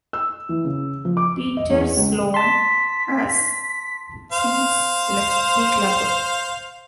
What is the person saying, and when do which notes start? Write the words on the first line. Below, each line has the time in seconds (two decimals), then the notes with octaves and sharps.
Peter Sloane has since left the club.
0.13 E6
0.49 E3
0.65 C#3
1.05 F3
1.17 D6
1.57 D#5
1.70 E2
1.97 C#2
2.34 A5 C6 B6
4.32 C5 F5